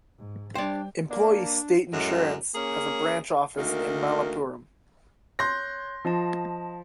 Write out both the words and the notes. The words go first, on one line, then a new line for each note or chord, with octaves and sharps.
Employees' State Insurance has a branch office in Malappuram.
G#2
G3 D4 C5 D5 G5
A#3 D4
F#2 A2 G#3
A#3 C#4 G#4
D2 D#3 A#3
C#5 C6 F#6 G6 A#6
F3 F4 D#5 A5